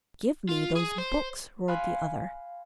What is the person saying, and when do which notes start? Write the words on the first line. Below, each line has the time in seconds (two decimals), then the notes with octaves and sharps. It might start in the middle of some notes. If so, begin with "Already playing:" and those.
"Give me those books!" roared the other.
0.49 F4
0.75 G#4
0.98 C5
1.68 F5 G#5 B5 C6 F#6